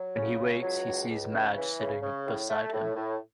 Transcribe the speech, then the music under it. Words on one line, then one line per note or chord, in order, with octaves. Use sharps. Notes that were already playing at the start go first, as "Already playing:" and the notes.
When he wakes, he sees Madge sitting beside him.
Already playing: F#3
C#3
C#2
F#3
C#2
C#2
C#3
E3
C#3
C#3
A2
A3
A2
A2